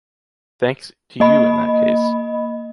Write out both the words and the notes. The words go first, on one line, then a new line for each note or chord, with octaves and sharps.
Thanks to you in that case.
A#3 D#5 B5